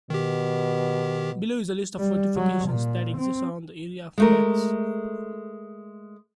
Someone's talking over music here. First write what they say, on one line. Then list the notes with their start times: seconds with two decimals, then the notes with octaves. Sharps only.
Below is a list of the fortifications that exist around the area of Metz.
0.10 B2 D#3 G4
1.98 G3
2.36 F#3
2.68 A#2
3.17 C4
4.18 G#3 A3 A#4